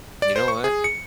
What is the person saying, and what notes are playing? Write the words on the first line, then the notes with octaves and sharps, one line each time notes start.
You know what?
D5
C5
C#6
G#4
C#7